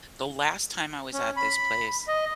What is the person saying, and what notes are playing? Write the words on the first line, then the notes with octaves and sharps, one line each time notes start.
the last time I was at this place,
C#4
B5
D#5